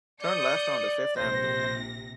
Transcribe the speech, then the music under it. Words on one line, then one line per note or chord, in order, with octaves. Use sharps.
Turn left onto Fifth Avenue.
D5 D#6 G6 C#7
A#1 C3 C5 A#6